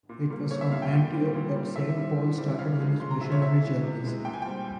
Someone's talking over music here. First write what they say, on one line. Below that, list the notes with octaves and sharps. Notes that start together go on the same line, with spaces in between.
It was from Antioch that Saint Paul started on his missionary journeys.
A#2
G3 A#3
A#2 C#5
E5
G3 A#3 F5
G5
A#2
G3 C4
A#2
G3 C4
E3 E5
G3 C4
E3
G3 C4
C#3 F5
F3 G#3
C#3 C6
A#5
F3 G#3 E5
C#5
C3 E5
E3 G#3
C3
E3 G#3
A#2 G5
G#5
G3 C4 G5